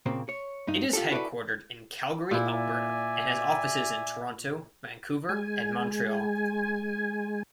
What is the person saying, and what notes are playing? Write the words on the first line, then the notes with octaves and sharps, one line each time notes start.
It is headquartered in Calgary, Alberta and has offices in Toronto, Vancouver, and Montreal.
A#2 C#3 A#3 C4
C#5
G2 D#4
F4 G4 A4
E4 F#4 A4 B4 C#5 D5
A#2 E4 D5 E5 G#5
G#3 G#5